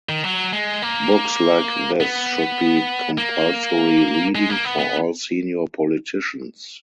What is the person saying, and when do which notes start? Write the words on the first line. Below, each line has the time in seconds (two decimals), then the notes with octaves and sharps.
Books like this should be compulsory reading for all senior politicians.
0.09 D#3
0.24 F#3
0.53 G#3
0.82 A#3
2.00 B3
3.18 A#3
4.35 G#3
4.50 A#3
4.65 B3
4.79 B3